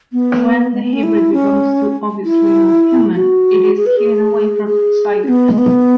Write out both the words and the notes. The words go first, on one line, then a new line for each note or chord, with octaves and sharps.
When the hybrid becomes too obviously non-human, it is hidden away from outsiders.
B3
G#3
B3
C#4
E4
C#4
E4
F#4
G#4
B4
G#4
G#4
C#4
B3
G#3
B3